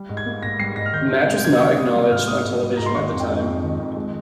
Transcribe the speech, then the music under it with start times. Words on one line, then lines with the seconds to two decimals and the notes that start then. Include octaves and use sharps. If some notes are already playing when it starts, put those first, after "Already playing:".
The match was not acknowledged on television at the time.
Already playing: G3
0.09 G#2
0.17 G#6
0.26 A#3
0.43 G#2 A#6
0.59 G3 C7
0.76 G#2 A#6
0.86 F6
0.93 D#3 G6
1.10 C3
1.18 G6
1.27 G#3
1.38 G6
1.44 C3 G#6
1.60 D#3 C#6
1.77 C3 D#6
1.95 G3
2.11 G#2 F6
2.28 A#3 D#6
2.45 G#2
2.62 G3
2.77 G#2 A#5
2.86 C6
2.95 D#3 C#6
3.12 F2
3.20 G5
3.28 G#3
3.46 F2
3.63 D#3
3.79 F2
3.97 G#3